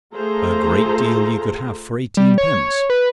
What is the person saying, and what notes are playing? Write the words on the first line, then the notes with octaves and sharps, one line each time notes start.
A great deal you could have for eighteenpence!
A3 F4 G#4 A4 C5 A#5
G3
C#5
B4